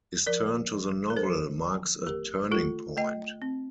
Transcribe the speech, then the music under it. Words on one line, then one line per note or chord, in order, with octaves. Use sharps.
His turn to the novel marks a turning point.
F3 A#4 D5
F3
A#4
F3 A4 C5
F3
A3 G4 A#4
A3 F4 A4
A3 D#5 G5
C4